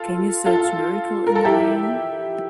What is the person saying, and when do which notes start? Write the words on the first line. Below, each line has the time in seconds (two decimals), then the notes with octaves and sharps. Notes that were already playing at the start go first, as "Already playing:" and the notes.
Can you search Miracle in the Rain?
Already playing: F4 A4
0.46 F4 A4
1.27 A#4
1.35 A4
1.45 E4 G4